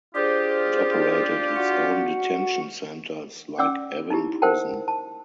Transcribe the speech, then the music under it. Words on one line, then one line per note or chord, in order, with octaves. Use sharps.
It operated its own detention centers, like Evin Prison.
D4 F4 G4 G#4 C5
F#4 F#5
C#4 D5 F#5 G5 D6 E6
D#4 E4 G4
A#4 C5 E5 F#5 G5 A5
A5